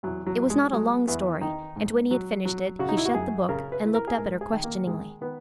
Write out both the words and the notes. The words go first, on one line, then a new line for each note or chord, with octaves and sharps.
It was not a long story; and when he had finished it he shut the book and looked up at her questioningly.
E2 F#3
F#3
E2
G#3
F#3 G#3
E2 B3
D#3 D#4
G#2
F#3
F#3
C#3 F#4
D#4
E4
F#4
F#2 G#4
C#3 A#4
B4
E3
A#4
G#4
G#2 A#4
G#4
D#3
A#3
D#3 G#3
D#3 B3